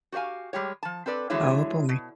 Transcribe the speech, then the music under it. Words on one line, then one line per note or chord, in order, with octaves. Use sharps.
Oh boy.
F#4 G4 C#5 F5 G#5
G3 G#3 G4 C#5
F3 A5
C4 A4 B4 D5
D3 E3 F#3 G#3 E4 C#5
B2